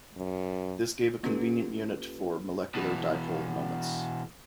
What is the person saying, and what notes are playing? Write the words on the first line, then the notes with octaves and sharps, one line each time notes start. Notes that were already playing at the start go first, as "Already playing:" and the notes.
This gave a convenient unit for molecular dipole moments.
F#2
A#3 C#4 F4 G4 A4 B4
B2 E3